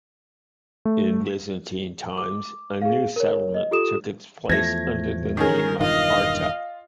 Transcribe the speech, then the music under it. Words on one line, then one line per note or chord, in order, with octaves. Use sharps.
In Byzantine times a new settlement took its place under the name of Arta.
A3
D6
G#4 F5
A#4 C#5
D#5
F4 G4 A4 D#6 E7
E2 F3 A3 G#6 A#6
D#3 C#4 G#4 A#4
E1 G2 D#3 F4 D#5 F5